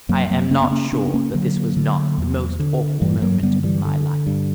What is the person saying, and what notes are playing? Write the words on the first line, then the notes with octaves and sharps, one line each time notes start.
I am not sure that this was not the most awful moment of my life!
F#2 F#3 A#3
F#3 A#3
C#3 A#3 C#4
B3
A#3 C#4
C#3 B3 D4
D4
A#3 C#4
D3 F#3 A#3
D3
E2
D3
G2 E3 G3
F#3 A#3
D3 G3 B3
E3 G3
D3
G2